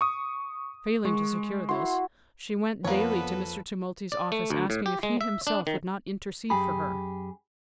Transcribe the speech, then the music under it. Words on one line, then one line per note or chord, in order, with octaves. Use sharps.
Failing to secure this, she went daily to Mr. Tumulty's office asking if he himself would not intercede for her.
C#6 D#6
G#3 C#6
E4 F#4 C6
F2 A#3 B3 A4 B4 C#5 F5
D5
A3
D2
A2
G4
G#3
E5
D4
D#3
F#2 G4 G#4 B5